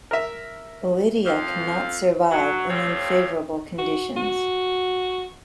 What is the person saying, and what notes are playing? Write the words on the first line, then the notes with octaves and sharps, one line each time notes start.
Oidia cannot survive in unfavourable conditions.
A#4 E5
F2 F5
F#3 F#4
F2 A2 G3 C4 F4 C#5
F#4
F#4